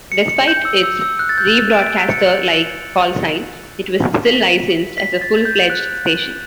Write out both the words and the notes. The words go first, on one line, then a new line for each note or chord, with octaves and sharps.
Despite its rebroadcaster-like callsign, it was still licensed as a full-fledged station.
C#7
C#7
G6
E6
E6
E6
F#6
A6
G6
D7
C#7
B6
B6
A6
G6
F#6